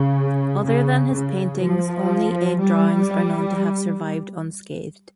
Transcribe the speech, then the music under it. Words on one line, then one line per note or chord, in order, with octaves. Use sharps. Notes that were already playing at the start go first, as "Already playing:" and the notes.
Other than his paintings, only eight drawings are known to have survived unscathed.
Already playing: C#3
C#3
C#3
F3
G3